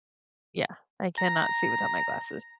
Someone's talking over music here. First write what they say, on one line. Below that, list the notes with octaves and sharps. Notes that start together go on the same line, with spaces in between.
yeah. I cannot see without my glasses.
A#5